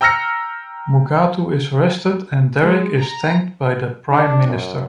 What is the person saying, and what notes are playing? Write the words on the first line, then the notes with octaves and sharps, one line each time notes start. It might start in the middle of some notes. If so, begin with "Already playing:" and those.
Mugatu is arrested, and Derek is thanked by the Prime Minister.
G5 A#5 E6 F6 A#6 C#7
G#3
A#5
D4
F#2